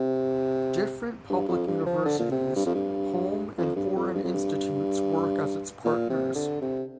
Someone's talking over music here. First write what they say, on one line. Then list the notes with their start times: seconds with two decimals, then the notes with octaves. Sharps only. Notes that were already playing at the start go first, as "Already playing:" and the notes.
Different public universities, home and foreign institutes work as its partners.
Already playing: C3
1.30 G2
1.48 F2
1.67 G2
1.86 F3
2.05 D3
2.19 A#2
2.31 C3
2.56 G2
2.66 F2
2.75 G2
3.58 F2
3.76 G2
3.96 F2
4.15 G2
4.24 F2
4.34 G2
5.85 A#2
6.10 C3
6.35 D3
6.61 C3